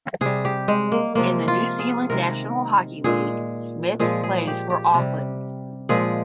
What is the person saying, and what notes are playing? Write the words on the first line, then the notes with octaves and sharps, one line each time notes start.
In the New Zealand National Hockey League Smith plays for Auckland.
C3 G3 G#4
G4
G#3
A#3
C3 F3 G#3 A#3
F4
G#4
C3 D#3 G#3 A#4
A#2 G#3 G#4
A#2 F3 G#3 G#4
G#4
G4
G4
C3 G3
A#2 F3 G#3 G#4